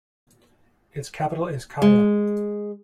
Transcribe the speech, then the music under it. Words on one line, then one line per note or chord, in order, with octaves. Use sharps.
Its capital is Kaya.
G#3